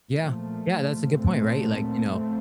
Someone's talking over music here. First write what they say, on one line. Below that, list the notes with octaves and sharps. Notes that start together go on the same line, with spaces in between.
Yeah, yeah, that's a good point, right, like, you know,
A#2 F3 A3
A#2 A3 C4
A3 C4